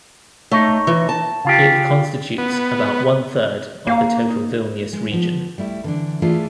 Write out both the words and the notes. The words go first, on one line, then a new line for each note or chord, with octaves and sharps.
It constitutes about one third of the total Vilnius Region.
A3 D#4 C#5
E3
A5
C#3 F4 G4
B3
A#3 F#4 F5 A#5
D#4
G#3
F3 B3
G3 A3 E4
D3 E3 D4
E3 A3 E4 F4 G#4 D5